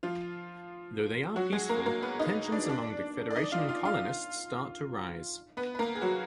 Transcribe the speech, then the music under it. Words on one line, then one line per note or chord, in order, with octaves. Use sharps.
Though they are peaceful, tensions among the Federation and colonists start to rise.
F3 F4
F#3 F#4
G#3 G#4
A#3 A#4
A#3 A#4
B3 B4
D#4 D#5
D4 D5
D4 D5
D5
D#4 D#5
F4 F5
F4 F5
F4 F5
B3 B4
B4
A#3 A#4
G#4
F#3 F#4